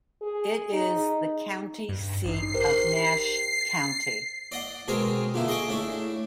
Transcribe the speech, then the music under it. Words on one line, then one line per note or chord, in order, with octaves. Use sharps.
It is the county seat of Nash County.
G#4
D#4
G2
A1 D#4 C7
G4 A#4 C5
A6
D5 D#5 F#5
B2 G#3 C4 G#4 A#4
A#2 D3 E4
G#4 D#5 C#6 D6
A2 D4 E4